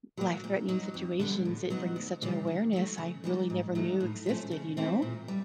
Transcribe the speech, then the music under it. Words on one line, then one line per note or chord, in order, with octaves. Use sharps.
life-threatening situations, it brings such an awareness I really never knew existed, you know?
F#3 A#3
A#2
F#3 A#3 D#4
F2
D3 G3 B3
A2
F#3 B3 D#4 F#4
D2
C#3 E3 G3 A#3
D#3
F#3 A3
C#3
E3 G3 A#3
G#2
D#3 F#3 A3
A2
F3 A3 C#4
C#3
E3 A3 C4 E4
A#2
G3